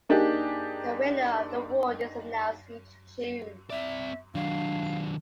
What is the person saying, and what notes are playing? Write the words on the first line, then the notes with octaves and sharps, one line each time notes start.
The winner of the award is announced each June.
A#3 D4 D#4 G4 G#4
C4 D5 E5
D#3 F#3 D4 F5